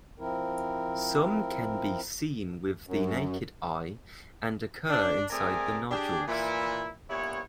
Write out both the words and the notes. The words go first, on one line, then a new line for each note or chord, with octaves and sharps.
Some can be seen with the naked eye and occur inside the nodules.
F3 C4 E4 A#4
F#2
D4
A3 C4 G#4 A#4 D5 G#5
D4 G4 G#4
A#2 E3 E4
G2 A#2 B3 E4 C#5